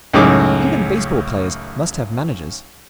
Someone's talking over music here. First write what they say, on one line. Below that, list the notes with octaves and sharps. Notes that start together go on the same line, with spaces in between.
Even baseball players must have managers.
C#2 F#2 A2 D#4 G#4 D6